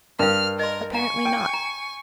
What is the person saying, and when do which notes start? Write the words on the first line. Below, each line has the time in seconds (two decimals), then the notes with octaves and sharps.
Apparently not.
0.19 G2 A#4 F5 F6
0.59 A#4 D#5 C6
0.94 F5 G#5 A#5 C#6
1.25 G5
1.54 A#5